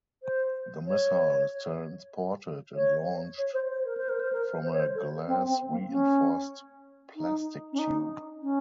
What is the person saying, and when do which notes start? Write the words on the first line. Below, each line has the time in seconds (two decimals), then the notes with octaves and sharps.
The missile is transported and launched from a glass-reinforced plastic tube.
0.23 C5
0.86 C#5
2.76 C#5
3.38 C#5
3.53 C5
3.70 C5
3.85 A#4
3.97 C5
4.09 A#4
4.20 C5
4.33 A#4
4.64 C5
4.73 C#5
4.80 C5
4.95 A4
5.28 C4
5.48 C4
5.69 A#3
5.90 C#4
7.16 D#4
7.73 C#4
7.79 D#4
8.42 C#4